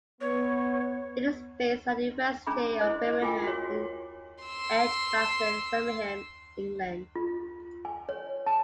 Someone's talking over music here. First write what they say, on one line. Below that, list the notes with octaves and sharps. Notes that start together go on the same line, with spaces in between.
It is based at the University of Birmingham in Edgbaston, Birmingham, England.
B3 C#5
C#4 D4 G#4 A#5 B5
E4 G#4 C5 D#5
F4 G#4 A#4 G5 G#5 D6
F#4 C#5
C6 E6
F4
G#5
C#5
A5